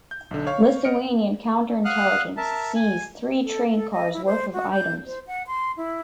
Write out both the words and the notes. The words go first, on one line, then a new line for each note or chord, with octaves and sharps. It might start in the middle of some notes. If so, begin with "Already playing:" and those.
Lithuanian counterintelligence seized three train cars worth of items.
G6
B1 D3
C#5 F5 C#6
B3 D#5 F6 C#7 D7
F5 F#5 D#6 F6 F#6
A#4 E5 A5
G#5
A4
A4
D#5
E4
C5
F#4
G6
C5
F#5
C6
E4